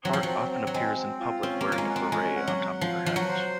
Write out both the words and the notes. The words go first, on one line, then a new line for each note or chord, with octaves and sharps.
Hart often appears in public wearing a beret on top of her habit.
F#3 C4
F3
F#3 C4
C4
F#3
G#3 C4
C4
F4
C4 C#4
A#3
F4
A#3
G#3
F#5
C4
G#3 C#4
F#5
F#3
F#5
F3 F4
F3 F#5
F#3
C5